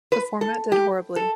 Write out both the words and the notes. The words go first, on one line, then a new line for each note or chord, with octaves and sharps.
The format did horribly.
B4
A4
G4
A4